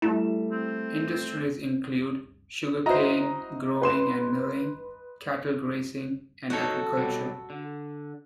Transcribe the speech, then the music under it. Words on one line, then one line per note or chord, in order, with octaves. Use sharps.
Industries include sugar cane growing and milling, cattle grazing and agriculture.
G3 A3 E4 E7
C4
E4 F#4 C5 D#5 A#5
B4 C6 E7
F#3 D#4 F#4 A4 C#5
B2 F#3 G3
D3